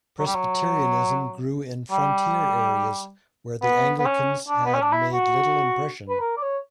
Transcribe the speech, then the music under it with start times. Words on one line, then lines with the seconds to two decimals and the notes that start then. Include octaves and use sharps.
Presbyterianism grew in frontier areas where the Anglicans had made little impression.
0.19 F#3
0.26 G3
0.34 F#3
1.91 G3
3.62 B3
3.99 B3
4.06 C#4
4.48 D4
4.65 B3
4.74 C#4
4.82 D4
4.92 E4
5.13 F#4
6.09 B4
6.20 A#4
6.37 D5
6.42 C#5